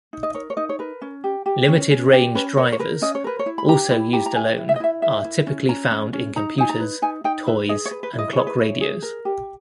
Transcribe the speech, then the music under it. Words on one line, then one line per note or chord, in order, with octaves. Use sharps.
Limited-range drivers, also used alone, are typically found in computers, toys, and clock radios.
D#4
D#5
A#4 C#5
C#5
D#4 D#5
C#5
A#4 B4
C#4
G4
G4
C#4 C#5
C#4
G4
C#4 B4
A#4 C#5
C#5
A#4 B4
C#4 D#5
C#5
A#4 B4
C#5
E4
B5
G4 A#5
E4 B5
G4 A#5
A#5
E4 G#5
E4
E5
D#5
E4 E5
A#4 E5
E4
C#4
C#4 A#5
C#4
C#4
D#4 A#5
D#4 G#5
A#5
B4
D#4 G#5
D#4 G5
B4 E5
G#4 D#5
C#5
B4
B4
E4
D#5
G#4 C#5
B4
E4 C#5
G#4
A#4
G4